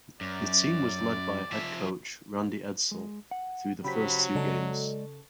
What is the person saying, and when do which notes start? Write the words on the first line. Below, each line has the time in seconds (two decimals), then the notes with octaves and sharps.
The team was led by head coach Randy Edsall through the first two games.
0.21 F#2 D5
1.52 F3 E5
2.91 G#3
3.31 F#5
3.85 C#3 F#3 G4 C5 B5 B6
4.35 C#3 G#3 A4 D5 D#5